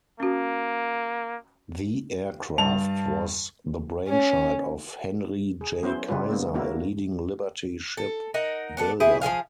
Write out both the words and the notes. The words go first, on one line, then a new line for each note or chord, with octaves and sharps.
The aircraft was the brainchild of Henry J. Kaiser, a leading Liberty ship builder.
A#3 C#4 F#4
G2 A5 F7
C#4
G#4
F#3 B3 C#4 E4 C5
C#3 G3 G#3 F4 B4
G#3 A#3 B3
G#3 A#3 D4 E4 F#4 A#4
A4
D#4 A#4 F#5
B3 D4 A4
C4 E4 G#4
F3 G#3 G#4 F5